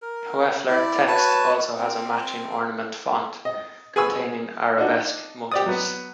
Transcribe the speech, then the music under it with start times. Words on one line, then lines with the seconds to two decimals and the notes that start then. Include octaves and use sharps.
Hoefler Text also has a matching ornament font containing arabesque motifs.
0.02 A#4
0.68 E4 D5
1.08 F#4 B4 C#5 A5
1.78 C4
3.45 D#5
3.96 G#4 B4 G#5 C#6 E6
4.78 D4 D#4 F#4
5.52 G4 D5 D#6
5.66 F#3 B3